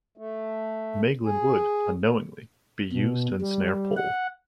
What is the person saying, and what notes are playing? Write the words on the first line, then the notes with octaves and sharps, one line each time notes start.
Meiglan would - unknowingly - be used to ensnare Pol.
A3
G#4
B2
G3
F#5